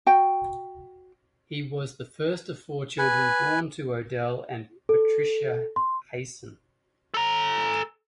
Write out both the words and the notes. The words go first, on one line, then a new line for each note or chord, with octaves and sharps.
He was the first of four children born to Odel and Patricia Hiaasen.
F#4 G5
B4 G#5
A4
C6
A4 A#5